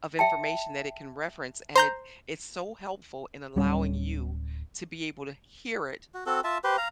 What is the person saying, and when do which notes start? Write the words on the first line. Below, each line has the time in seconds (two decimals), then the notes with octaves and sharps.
of information that it can reference. And it it's so helpful in allowing you to be able to hear it
0.19 E5 G5 A5
1.76 C5 A#5 G6
3.56 D1 G3 C#4
6.14 F#4
6.26 C4 F#4 A4
6.44 F4 E5 A5
6.64 G4 B4 C5
6.78 F5 A#5